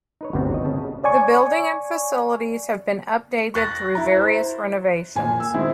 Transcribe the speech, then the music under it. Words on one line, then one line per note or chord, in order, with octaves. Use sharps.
The building and facilities have been updated through various renovations.
D#4 B4 C#5
G1 D2 C3 G3 B3 C4
C#5 D#5
C#3 A5
C#5 D5 G#5 C#6
C#6 F#6 A6 A#6
E4 A#5
C5
A#2 G#5
E6
D#3 G#3 C4 E4 G#4